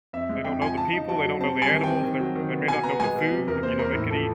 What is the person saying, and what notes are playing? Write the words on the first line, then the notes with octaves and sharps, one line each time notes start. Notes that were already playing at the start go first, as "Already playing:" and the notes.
They don't know the people. They don't know the animals. They're they may not know the food. You know, they could eat
F2 E5
G#3
F2 G5
F3 G#5
C#3 A5
D#4
F#3 A5
F#3
C4 A5
G3 G#5
D#3
C4 G5
D#3
F#3
D#3
B3
B2 G#5
B3 A#5
G#3 G#5
B2
C3
E2 A#4
A#3 C5
E2 A#4
A2
F3 A4